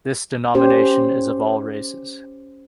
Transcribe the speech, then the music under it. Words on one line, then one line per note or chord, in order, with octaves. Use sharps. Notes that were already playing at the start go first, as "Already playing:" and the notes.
This denomination is of all races.
C#4 G4 C5